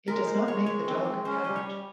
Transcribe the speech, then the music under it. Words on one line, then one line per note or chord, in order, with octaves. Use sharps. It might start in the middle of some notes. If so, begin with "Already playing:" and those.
It does not make the dog a cat.
G#3 A#4
G#3 C5
G#3 C#5
G#3 C#5
C4
G#3
C#4 C5
G3 D#5
C#5
G3